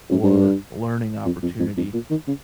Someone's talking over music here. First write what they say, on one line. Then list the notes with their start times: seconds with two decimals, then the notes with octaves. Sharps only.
or learning opportunity
0.11 F#2
0.23 G2
1.25 F2
1.43 F2
1.59 F2
1.77 F2
1.93 A#2
2.10 D#3
2.27 C#3